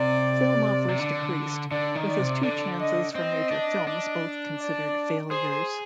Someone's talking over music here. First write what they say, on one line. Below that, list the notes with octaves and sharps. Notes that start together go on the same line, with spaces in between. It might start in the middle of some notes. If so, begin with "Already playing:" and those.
Film offers decreased, with his two chances for major films both considered failures.
Already playing: C3 D5
C3
D3
D3 D5
D#3
D5
C3
D3 D5
D#5
C4 D#5
D4
D4
D5
G#4 C5